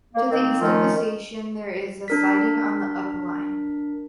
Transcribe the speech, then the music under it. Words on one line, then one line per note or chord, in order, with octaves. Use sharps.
To the east of the station there is a siding on the Up line.
A#3
D#3 A#3 C4
D#3 F3 A3 C#4 F4
D4 A#4 B6